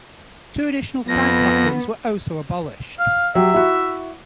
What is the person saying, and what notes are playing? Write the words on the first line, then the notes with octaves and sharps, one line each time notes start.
Two additional side platforms were also abolished.
F2 B3 A#6
F5
F#3 G4 E5
E4 F#4